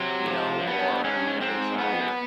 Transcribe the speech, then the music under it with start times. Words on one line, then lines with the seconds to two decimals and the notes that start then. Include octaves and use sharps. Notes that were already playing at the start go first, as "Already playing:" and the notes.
you know or, you know, they try,
Already playing: C3 F#3
0.26 E3
0.31 F3
0.60 F#2
0.67 G2 B3
1.04 G#2 C#4
1.16 G2
1.27 G#2
1.41 G#2 C4
1.78 B3
1.93 F2
2.01 F#2